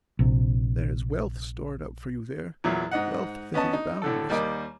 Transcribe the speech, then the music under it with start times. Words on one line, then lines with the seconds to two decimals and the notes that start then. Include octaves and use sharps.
There is wealth stored up for you there--wealth that is boundless!
0.19 A#1 C3
2.64 E2 A#2 F#3 E5
2.91 G#2 D#5 F#5
3.54 B3 C#4 D#5 A5
3.73 D#4
4.02 A2 D3 A4
4.29 D#2 G3 A#3 D#5 D6